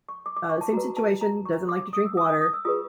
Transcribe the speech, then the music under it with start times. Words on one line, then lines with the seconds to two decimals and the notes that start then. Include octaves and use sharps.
uh, same situation, doesn't like to drink water.
0.09 C#6
0.26 D6
0.37 D6
0.49 C#6
0.61 A5
0.72 F#4 B4 A#5
0.97 A5
1.21 A#5
1.45 C#6
1.69 D6
1.82 D6
1.93 D#6
2.05 E6
2.17 D#6
2.30 D#6
2.41 D#6
2.53 E6
2.65 F4 G#4 B4 D#6